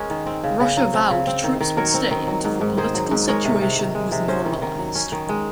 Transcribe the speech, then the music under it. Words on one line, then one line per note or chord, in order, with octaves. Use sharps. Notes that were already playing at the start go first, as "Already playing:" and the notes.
Russia vowed troops would stay until the political situation was "normalised".
Already playing: G#3 C#4 A#4 C#5 D#5
D#3
C4
C#3
C#3
F#3
C4
C#3
C4
D#3
D#3
F#3 A#4 C#5
C4
D#3
F#3
G#2
G#2
D#3 G#4 C5
F#3
G#2
G#3 A#4 C#5
C3
C3
D#3
G#3
C3
C#4 C5 D#5
D#3
D#3
F#3
C#4
D#3
G#3